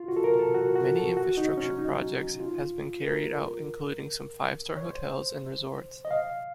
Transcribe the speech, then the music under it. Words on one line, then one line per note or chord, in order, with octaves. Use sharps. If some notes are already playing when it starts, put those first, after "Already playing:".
Many infrastructure projects has been carried out including some five-star hotels and resorts.
Already playing: F4
F#4
A4
A#4
A4
F#4
F#4
A4
F#4
D#4
C#4
D#4
F4
A#4
C#5
C5
D#5
F5